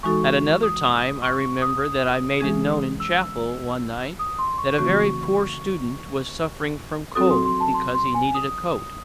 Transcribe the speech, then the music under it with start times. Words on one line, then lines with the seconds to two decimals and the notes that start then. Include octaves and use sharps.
At another time I remember that I made it known in chapel, one night, that a very poor student was suffering from cold, because he needed a coat.
0.03 E3 G#3 D#4 F#4 A4 C#6
0.63 D#6
1.22 C#6
1.42 C#6
1.62 D#6
2.40 E3 G#3 C#4 G#4
3.00 E6
4.19 D#6
4.39 C6
4.58 C#6
4.78 C#3 E3 A3 C4 F#4 C#6
7.15 F#3 C4 F#4 A4 D#6
7.31 C6
7.45 C6
7.60 A5
7.74 C6
7.94 C6
8.14 G#5
8.34 D#6